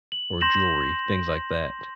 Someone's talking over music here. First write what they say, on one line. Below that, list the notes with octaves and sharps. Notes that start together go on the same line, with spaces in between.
or jewelry, things like that. It's
F#7
C6 G6 A#6 E7 F#7